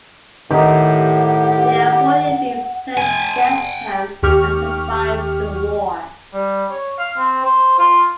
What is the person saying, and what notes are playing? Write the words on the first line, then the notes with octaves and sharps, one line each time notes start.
They avoided being sent to death camps and survived the war.
A2 D#3 D#4 G4 F#5
G5 G#5
D#2 G4 C#6 F6
G3
C#5
F5
C4
C5
F4